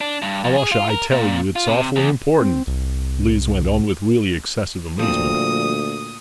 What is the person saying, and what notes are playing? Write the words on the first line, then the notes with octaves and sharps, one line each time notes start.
"Alyosha, I tell you, it's awfully important," Lise went on, with really excessive amazement.
D4
G2
F2
G#4
F4
A#4
A#2
F4
C3
E2
C4
C2
D2 A#2 F3 G3 C4 D#6